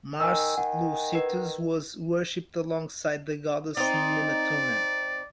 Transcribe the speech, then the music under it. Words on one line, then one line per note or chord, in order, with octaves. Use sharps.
Mars Loucetius was worshipped alongside the goddess Nemetona.
D#3 G#5 E6
D#3 F#5
B4 D#5
C4 D#4 D5